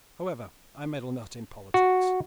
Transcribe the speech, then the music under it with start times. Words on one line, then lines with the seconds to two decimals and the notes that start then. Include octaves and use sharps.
However, I meddle not in politics.
1.74 F#4